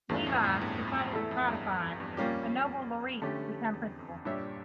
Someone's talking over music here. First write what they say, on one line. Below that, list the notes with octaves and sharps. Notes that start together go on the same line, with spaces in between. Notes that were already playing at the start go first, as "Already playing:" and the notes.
Levy decided to try to find a Nobel laureate to become principal.
E2 G2 E3 A3 C#4 F4
F2 A2
F2 A2
E2 G2
F2
E2 A3 E4 A4 E5
F2
E2 G2
F2
E2 G2
F2 A#2 G3 A#3 C#4 G4
F2
D3 A3 C#4 G4
E2
F2
G2 A#2 G3 D4 G4 C#5 E5